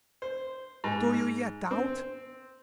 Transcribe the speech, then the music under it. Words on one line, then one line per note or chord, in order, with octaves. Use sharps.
"Do you yet doubt?"
C5
G#2
C4